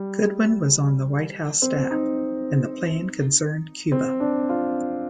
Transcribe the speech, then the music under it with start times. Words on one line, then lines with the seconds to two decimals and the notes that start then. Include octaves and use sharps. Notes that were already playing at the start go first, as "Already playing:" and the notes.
Goodwin was on the White House staff, and the plan concerned Cuba.
Already playing: G3
1.62 C4
1.91 D#4
3.92 C4
4.20 D4
4.49 F4